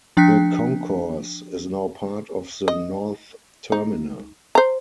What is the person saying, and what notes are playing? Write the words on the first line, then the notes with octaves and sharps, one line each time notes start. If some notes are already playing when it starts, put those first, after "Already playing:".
The concourse is now part of the North Terminal.
F3 D4 G5 F#6 B6 C#7
D#5
D#4
C5 A#5